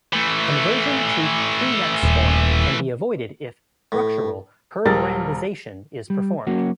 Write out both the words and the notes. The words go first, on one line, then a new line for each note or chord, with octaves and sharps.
Conversion to prenex form can be avoided, if "structural" Herbrandization is performed.
E3 A3
D#1
A2
D#1 G3 A#4 A6
G3
F#3 A#3 C#4 F#4